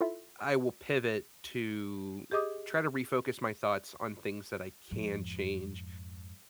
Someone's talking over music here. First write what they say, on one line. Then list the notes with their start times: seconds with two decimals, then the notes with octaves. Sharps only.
I will pivot to try to refocus my thoughts on things that I can change,
0.01 E4 F4 A4 E5
2.31 G4 G#4 D#5 D6 D#6
4.91 F2 G#2